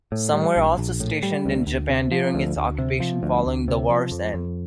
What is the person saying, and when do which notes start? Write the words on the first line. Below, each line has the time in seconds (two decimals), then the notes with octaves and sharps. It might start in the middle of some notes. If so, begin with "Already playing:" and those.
Some were also stationed in Japan during its occupation following the war's end.
0.12 A2
0.33 G3
0.56 A#1
0.78 A#1
1.00 A2
1.23 G3
1.46 D2
1.67 D2
1.89 C3
2.12 F3
2.35 D2
2.56 D2
2.78 C3
3.00 F3
3.23 D2
3.46 D2
3.68 C3
3.90 F3
4.12 F2
4.34 F2